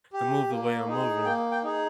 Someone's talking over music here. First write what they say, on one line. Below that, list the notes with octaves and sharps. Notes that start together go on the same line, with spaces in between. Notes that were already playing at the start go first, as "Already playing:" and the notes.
to move the way I'm moving
G4
A#3
D#4 G#4
A#3 G5
G5
D#4 G#4